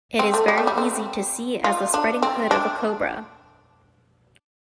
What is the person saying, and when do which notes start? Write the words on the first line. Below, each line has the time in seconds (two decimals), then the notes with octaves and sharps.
It is very easy to see as the spreading hood of a cobra.
0.19 C4
0.34 A3
0.48 G3
0.58 A3
0.67 G3
0.78 C4
1.64 F4
1.94 D4
2.22 C4
2.51 D4